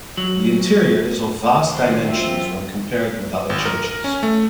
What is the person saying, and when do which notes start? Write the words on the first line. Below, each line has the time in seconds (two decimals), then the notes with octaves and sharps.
The interior is of vast dimensions when compared with other churches.
0.18 F#3
1.69 D#3 F#3 D4 C5 D5
2.08 F#2 C4 F4 E5
3.50 G#1
3.65 A#4
3.84 A#4
4.04 C#4
4.23 A3